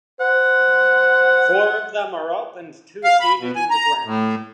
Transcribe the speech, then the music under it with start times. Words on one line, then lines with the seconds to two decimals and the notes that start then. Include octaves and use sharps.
Four of them are up and two seated in the ground.
0.21 C5 F#5
3.04 F5
3.20 B5
3.39 B2
3.56 G#5
3.70 A#5
4.04 A2